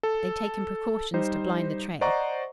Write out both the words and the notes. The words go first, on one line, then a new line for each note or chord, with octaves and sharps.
They've taken precautions to blind the trail.
A4
G3 D#4 C5
C5 D5 D#5 F#5 A#5 C#6